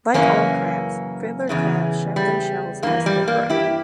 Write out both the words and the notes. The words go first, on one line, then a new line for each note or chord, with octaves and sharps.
Like all crabs, fiddler crabs shed their shells as they grow.
F#2 C#3 E3 A#3 C#4
E2 C#3 E3
G3
G2 E3 A#3
G3
A#3
E4 G4